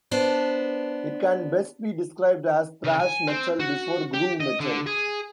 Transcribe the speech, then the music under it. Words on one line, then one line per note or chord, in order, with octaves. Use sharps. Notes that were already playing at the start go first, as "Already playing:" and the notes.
It can best be described as "thrash metal before groove metal".
B3 D4 C5
C#3
G#5
C4
F#4
G4
D#5
D3
G#4